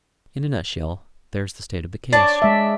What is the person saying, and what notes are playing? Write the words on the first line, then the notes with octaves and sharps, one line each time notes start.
In a nut-shell, there's the state of the case.'
D4 C#5 D5 A5
G#3 E5